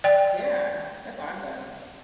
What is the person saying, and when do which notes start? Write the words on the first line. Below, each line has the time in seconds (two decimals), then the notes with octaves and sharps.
Yeah, that's awesome.
0.04 D5 G5